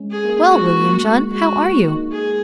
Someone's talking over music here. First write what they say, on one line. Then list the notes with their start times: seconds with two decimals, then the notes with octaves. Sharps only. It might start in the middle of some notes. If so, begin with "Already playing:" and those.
"Well, William John, how are you?"
Already playing: G#3 C#4
0.11 G#4
0.24 A#3
0.51 G#3 F#4
0.78 A#3
0.99 G#3
1.05 A#3
1.31 G#3 F#4
1.59 A#3
1.85 A#3 D#4
2.12 G#4